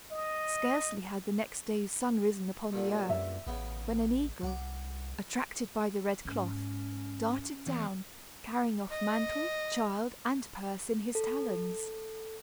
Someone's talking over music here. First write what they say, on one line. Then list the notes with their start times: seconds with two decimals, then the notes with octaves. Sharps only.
Scarcely had the next day's sun risen upon the earth, when an eagle, attracted by the red cloth, darted down, carrying off mantle, child, and purse in his talons.
0.11 D#5
2.73 G2 A#2 D3
3.09 F#2 E5
3.47 A1 C#3 B3
4.43 C2 F#5 D6
6.25 G#2 C#4
7.67 E2
8.91 D#5
11.15 A4